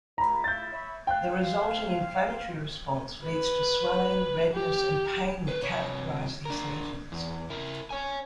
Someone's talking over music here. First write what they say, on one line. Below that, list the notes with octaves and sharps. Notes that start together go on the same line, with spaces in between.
The resulting inflammatory response leads to swelling, redness, and pain that characterize these lesions.
C#2 A#5 B5
C#3 E4 F4 G6 A6
C#5 E5 B5
C5 F5 G5 F#6
B4
G4
B4 C5
C2 C#5
D4 A#4
E2
E4 A#4
C#5 G#5